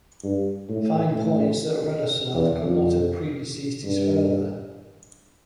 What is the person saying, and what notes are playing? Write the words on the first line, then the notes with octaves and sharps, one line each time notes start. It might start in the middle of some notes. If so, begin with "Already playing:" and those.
Fine points that Radoslav could not have predeceased his father.
G2
A2
A2
E2
F2
G2